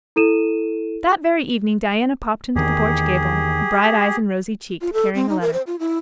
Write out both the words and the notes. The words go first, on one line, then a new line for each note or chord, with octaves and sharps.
That very evening Diana popped into the porch gable, bright-eyed and rosy cheeked, carrying a letter.
E4 A4 D#7 E7
E2 D#3 G4 G#4
F4
A4
C4
D#4
A#4
C5
F4
E4